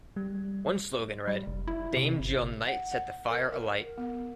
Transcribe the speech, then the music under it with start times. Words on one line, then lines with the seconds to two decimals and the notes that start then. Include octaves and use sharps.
One slogan read: Dame Jill Knight Set The Fire Alight!
0.16 G3
1.28 G3
1.47 F1
1.68 E4
1.97 C3
2.20 G1
2.67 F#5
2.92 F#5
3.31 A#4
3.53 A#4
3.98 B3